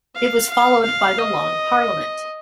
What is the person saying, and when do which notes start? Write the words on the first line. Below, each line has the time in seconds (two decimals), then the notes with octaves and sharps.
It was followed by the Long Parliament.
0.15 F5
0.49 F5
0.83 F5
1.18 D#5